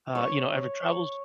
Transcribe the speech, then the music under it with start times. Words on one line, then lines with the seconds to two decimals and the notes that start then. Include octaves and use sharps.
uh, you know ever travels
0.15 C#5